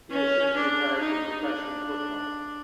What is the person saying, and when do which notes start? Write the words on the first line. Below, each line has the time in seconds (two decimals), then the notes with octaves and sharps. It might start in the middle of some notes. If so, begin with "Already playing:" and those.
He has since retired from professional football.
0.10 C#4
0.56 D4
1.00 D#4
1.46 D4